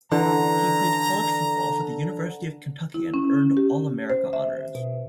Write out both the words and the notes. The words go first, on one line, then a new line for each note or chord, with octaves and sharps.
He played college football for the University of Kentucky and earned All-America honors.
D3 E3 A#5
E4
C#4
G4
C5
E5
B2